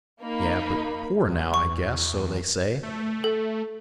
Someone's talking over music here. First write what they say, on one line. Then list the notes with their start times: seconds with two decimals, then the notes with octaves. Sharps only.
"Yeah, but poor now, I guess; so they say."
0.21 A#3 D#4 B5
1.27 E2
1.54 C#6
2.83 A3
3.24 A4